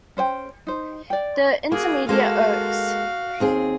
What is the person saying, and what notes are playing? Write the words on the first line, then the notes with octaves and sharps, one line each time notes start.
The intermediate oaks.
C#4 C5 D#5 G5
D#4 C5
D5 G5
A#3 F#4 G#4
G#3 A#3 F#4 A4 F5
D#2 C4 G#4